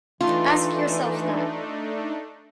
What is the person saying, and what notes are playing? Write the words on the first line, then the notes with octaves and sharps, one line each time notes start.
Ask yourself that.
E3 A3 D4 D#4 F4